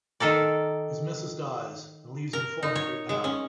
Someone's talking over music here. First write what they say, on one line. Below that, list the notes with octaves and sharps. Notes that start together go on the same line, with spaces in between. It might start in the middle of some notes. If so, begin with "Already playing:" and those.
His missus dies, and leaves him four hundred pound.
D#3 A4 A#4 D5
A#4
D#4
C#5
G#3
C#4